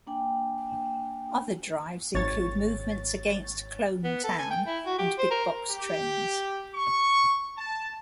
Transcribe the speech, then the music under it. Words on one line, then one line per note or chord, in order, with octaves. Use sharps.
Other drives include movements against Clone town and Big-box trends.
A#3 D4 G5 G#5
G#1 C#5 A6
B3
A4
G#5
G5
E4
F#4
G4
C5
A#4
G4
C#6
A5